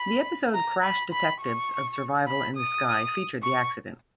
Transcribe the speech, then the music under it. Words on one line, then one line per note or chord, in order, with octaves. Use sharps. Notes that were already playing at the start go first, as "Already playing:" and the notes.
The episode "Crash Detectives" of Survival in the Sky featured the accident.
Already playing: B5
A#5
B5
B5
C#6
B5
D#6
C#6